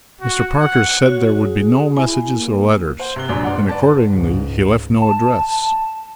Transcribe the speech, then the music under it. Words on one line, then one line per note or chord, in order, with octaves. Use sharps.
"Mr. Parker said there would be no messages or letters, and accordingly he left no address."
F#4
F#5
F#4 C#5
G#4
E4 G#5
A#3
C5 F#5
C3 C6 F#6 G7
A#1 F#2 D4 D5 C6
B3 D5 F#5
G#2
B4 D5 A5
C#2 G#2
A5